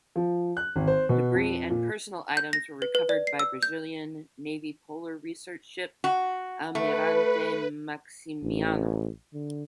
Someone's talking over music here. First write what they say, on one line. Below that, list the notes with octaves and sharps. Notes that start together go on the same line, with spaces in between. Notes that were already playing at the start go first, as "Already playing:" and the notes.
Debris and personal items were recovered by Brazilian Navy polar research ship "Almirante Maximiano".
F3
F#6
G#1
C5
B2
F2
A#2
G6
A#6
B4
B4
D5
C7
E6
G6
F#4
A3 B4
A1
D3